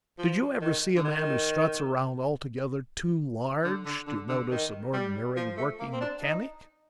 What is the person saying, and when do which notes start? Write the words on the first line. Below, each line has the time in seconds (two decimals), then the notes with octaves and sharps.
Did you ever see a man who struts around altogether too large to notice an ordinary working mechanic?
0.18 F3
0.62 D#3
0.97 D3
1.05 D#3
3.64 D3
3.86 D3
4.07 D3
4.29 D3
4.51 D#3
4.93 G3
5.37 F3
5.57 A3
5.80 A#3
5.93 C4
6.01 D4
6.23 D#4